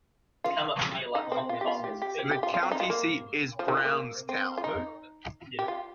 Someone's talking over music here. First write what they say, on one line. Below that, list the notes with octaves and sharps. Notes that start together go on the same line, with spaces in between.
The county seat is Brownstown.
F4
D#4
C4
F4
G4
F4
G4
G4
G4
G4
F4
F4
C4
D#4
F4
A#3
F3
D#3
F3
A#3
C4
F4
D#4
G4
F4